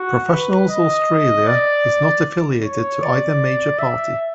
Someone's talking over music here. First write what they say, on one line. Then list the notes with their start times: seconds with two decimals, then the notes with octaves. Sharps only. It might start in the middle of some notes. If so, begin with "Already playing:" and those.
Professionals Australia is not affiliated to either major party.
Already playing: F#4
0.31 B4
0.69 D#5
1.47 D5
2.63 C#5
3.02 D5
3.79 E5